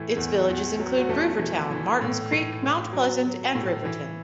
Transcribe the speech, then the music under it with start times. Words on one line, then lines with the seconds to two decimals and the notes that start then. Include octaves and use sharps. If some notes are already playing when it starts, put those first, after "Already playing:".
Its villages include Gruvertown, Martins Creek, Mount Pleasant, and Riverton.
Already playing: A2 E3 A3
0.16 E2
0.48 E2
0.79 F#3
0.99 F#4
1.09 E2 A3 A4
1.39 E3
1.71 E3
2.01 A2
2.32 A2
2.63 A2
2.93 F#3
3.25 F#3
3.55 A2
3.85 E3